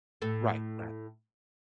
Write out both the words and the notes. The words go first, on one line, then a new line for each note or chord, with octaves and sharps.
Right, right.
A2 A4